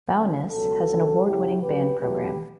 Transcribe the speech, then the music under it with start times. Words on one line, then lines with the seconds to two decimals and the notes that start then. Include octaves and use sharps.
Bowness has an award-winning band program.
0.13 F#2 D3 F#3
0.50 C#2 B2 F#3 F#4 A4
0.87 D2 C#3 F#3
1.25 E2 C#3 F#3 E4 G4
1.62 D2 C#3 F#3 G4 B4
2.00 E2 B2 F#3 A3 G4 B4